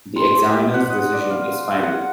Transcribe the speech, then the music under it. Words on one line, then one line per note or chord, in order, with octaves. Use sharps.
The examiner’s decision is final.
C6
G4
F#5
D#5
D5
F5
F#5